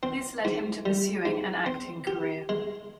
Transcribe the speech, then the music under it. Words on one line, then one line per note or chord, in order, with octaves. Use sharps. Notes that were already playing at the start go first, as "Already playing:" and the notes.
This led to him pursuing an acting career.
C4
G#2
G3
G#2
C4
G4
G#3